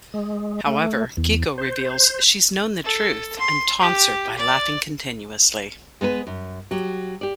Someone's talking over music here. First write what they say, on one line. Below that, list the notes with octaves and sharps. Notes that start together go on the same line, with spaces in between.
However, Keiko reveals she's known the truth and taunts her by laughing continuously.
G#3
A3
E2
C5
A4
C6
G4
D5
G#3 B3 A4 B4
F#2
F#3 G4
G4 D5